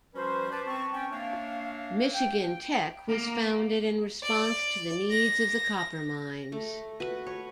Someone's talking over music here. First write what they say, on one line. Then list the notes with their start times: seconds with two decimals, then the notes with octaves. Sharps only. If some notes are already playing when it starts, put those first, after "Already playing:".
Michigan Tech was founded in response to the needs of the copper mines.
0.14 F3 G3 C#4 F#4 B4 C5
0.52 B4 A5 D6
0.67 C4 A5 C#6
0.93 C#4 G5
1.12 A#3 D4 C#5 E5 F5
2.14 G5
3.09 A#3
4.23 D5
5.10 A#6
6.52 A3
7.00 F#4 B4
7.27 C#5